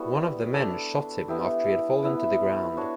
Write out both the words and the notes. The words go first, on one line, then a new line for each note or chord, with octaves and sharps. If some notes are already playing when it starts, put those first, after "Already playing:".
One of the men shot him after he had fallen to the ground.
Already playing: G3 A3 B3 E4 F#4
D4 A4 D5
B3 E4 G4
B3 E4 B4
D4 F#4 C#5